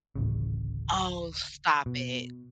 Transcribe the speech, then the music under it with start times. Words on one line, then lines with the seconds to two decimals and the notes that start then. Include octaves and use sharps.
Oh, stop it.
0.15 D1 A1 C#3
1.86 B2